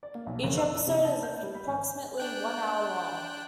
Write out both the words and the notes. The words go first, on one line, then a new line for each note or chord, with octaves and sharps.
Each episode is approximately one hour long.
D5
A#3
B1
F#1
E6
D4
C3
A5
G6
G3
B5
G#1
D4 G5 F#6